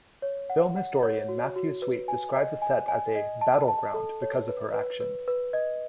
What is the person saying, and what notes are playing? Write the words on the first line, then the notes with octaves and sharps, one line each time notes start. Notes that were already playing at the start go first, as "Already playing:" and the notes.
Film historian Matthew Sweet described the set as a "battleground" because of her actions.
C#5
F#5
F#5
C#5
F#4
F#4
B4
G#5
D#5
G#5
G#5
D#5
A5
A5
A4
C#5
B4
B4
B4
B4
D#5